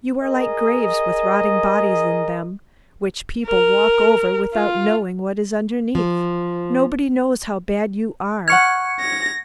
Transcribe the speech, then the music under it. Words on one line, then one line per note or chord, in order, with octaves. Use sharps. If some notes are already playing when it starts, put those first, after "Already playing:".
You are like graves with rotting bodies in them, which people walk over without knowing what is underneath. Nobody knows how bad you are.
G#4 A#4 D#5
A#4
F4
F3
F#5 C#6 F6 G#6 C#7
A#6